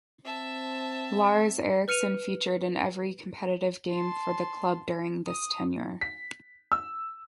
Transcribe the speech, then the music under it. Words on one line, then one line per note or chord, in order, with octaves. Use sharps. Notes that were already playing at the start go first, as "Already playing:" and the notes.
Lars Eriksson featured in every competitive game for the club during this tenure.
C4 E5 A5
B4 F6 C#7 D#7 F7
A5 C6
D#6
B6
E6